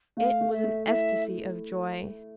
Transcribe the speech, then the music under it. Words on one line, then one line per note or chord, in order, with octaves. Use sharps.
It was an ecstasy of joy!
A3 F5
A3
E5
A3
E4 E5